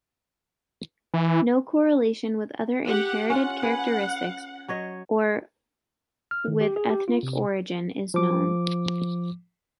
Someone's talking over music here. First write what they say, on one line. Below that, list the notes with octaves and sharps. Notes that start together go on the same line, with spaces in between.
No correlation with other inherited characteristics, or with ethnic origin, is known.
E3
G4 F#5
C#4 F4 F#5
G#4 B4
F#3 C#5 D#5
F6
D#3
G4
G#4
G4
F4
C3
F3 D6